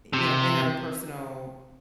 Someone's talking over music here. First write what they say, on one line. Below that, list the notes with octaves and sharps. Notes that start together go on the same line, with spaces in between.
you know, interpersonal
C3